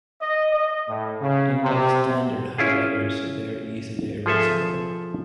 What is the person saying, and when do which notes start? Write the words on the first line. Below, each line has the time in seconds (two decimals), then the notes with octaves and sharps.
Unlike standard highlighters, they are easily erasable.
0.22 D#5
0.52 D#5
0.88 A2
1.21 C#3
1.63 C3
2.58 C#4 E4 F4 G#4
4.26 F3 G#4 A4 E5